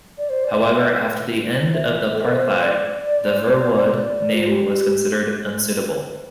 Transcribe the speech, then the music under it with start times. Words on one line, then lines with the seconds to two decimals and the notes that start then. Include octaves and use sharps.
However, after the end of apartheid, the Verwoerd name was considered unsuitable.
0.18 D5
0.30 C5
0.44 D5
0.58 E5
1.74 E5
2.14 A4
2.22 A#4
2.31 C5
2.60 D5
3.46 C5
3.61 D5
3.76 D5
4.33 F4
4.48 G4